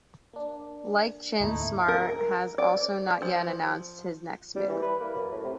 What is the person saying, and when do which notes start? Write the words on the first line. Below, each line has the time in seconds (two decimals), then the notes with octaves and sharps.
Like Chin, Smart has also not yet announced his next move.
0.33 A#3 D4
1.40 D2 G#2 A3 A#3 D#4 E4
1.88 A#4
2.58 D5
3.22 F3
4.56 G3
4.69 E3
4.82 B4
5.00 A#3
5.15 F#2
5.32 A2
5.44 C3